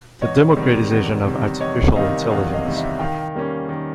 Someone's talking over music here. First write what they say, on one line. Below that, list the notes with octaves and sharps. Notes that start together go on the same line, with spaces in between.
The democratization of artificial intelligence.
E2 C#5 D#5
C3 D#3 G3
E2
C3 D#3 G3
E2 C#5 D#5
C3 D#3 G3 D#5 F5
E2 D#5 F5
D#5 F5
C3 D#3 G3
E5 F#5
D#3 F5 G5
G3 A#3 C#4
D#3